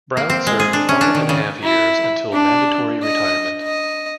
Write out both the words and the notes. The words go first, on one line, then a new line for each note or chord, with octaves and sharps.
Brown served five and a half years until mandatory retirement.
A#3
C4
G#3
G#4
D4
C#4
D4
D#3
C#3
E4
D4
D#5
D#5